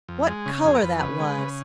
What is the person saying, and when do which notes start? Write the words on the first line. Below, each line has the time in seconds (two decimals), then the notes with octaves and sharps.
What colour that was!
0.09 F2
0.27 G#3
0.46 C#3
0.64 F2 G#4
0.75 A#4
0.83 F2 B4
1.01 C#3
1.20 G#3
1.38 C#3